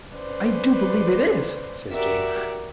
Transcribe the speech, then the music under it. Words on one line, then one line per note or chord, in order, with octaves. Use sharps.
"I do believe it is," says Jane.
C#4 B4 C5 D5
F#4 G4 A#4 D5 E5